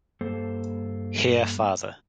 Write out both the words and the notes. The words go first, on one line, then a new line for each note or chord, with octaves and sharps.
Here Fr.
G2 A#3 A4 C5